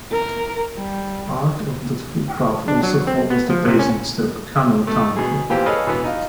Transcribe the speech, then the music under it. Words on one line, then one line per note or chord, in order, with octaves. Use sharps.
Part of the footpath also follows the Basingstoke Canal towpath.
A#4
G3
D4
F#3
C4
B3
F3
C3
C#4
A3 A4
B2 G#4
A#2 E3 F4 G4 C5
G#4 A4 B4 C#5 D#5 F5
B2 E3 B3 B5
D#4 F4